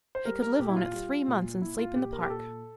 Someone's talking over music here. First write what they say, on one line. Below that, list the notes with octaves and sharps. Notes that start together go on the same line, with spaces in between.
He could live on it three months and sleep in the park.
C5
G3 A#4
A#4
A#2 G4
E4
F4
G3
A#2
A#2 E4
F4
A#2 G4
A#4
G4
A#2 A4